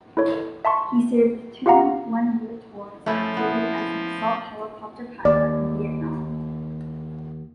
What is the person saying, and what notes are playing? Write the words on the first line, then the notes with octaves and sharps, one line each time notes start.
He served two one-year tours of duty as an assault helicopter pilot in Vietnam.
E4 A4 C#5
E5 A5 C6 C#6
F4 G4 F5 F#5 A#5
F3 A3 C#4 E4
B3 E4
D#2 D5